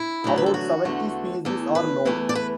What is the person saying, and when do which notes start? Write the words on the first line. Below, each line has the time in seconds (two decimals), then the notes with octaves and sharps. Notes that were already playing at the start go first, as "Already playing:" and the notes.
About seventy species are known.
Already playing: E4
0.24 D2 D3 F#3 A3
0.38 B4
0.46 A4
0.54 F#4
0.85 E2 D3 A3
1.45 E2 E3 A3
1.75 B4
2.05 E2 E3 A3
2.29 D5
2.35 B4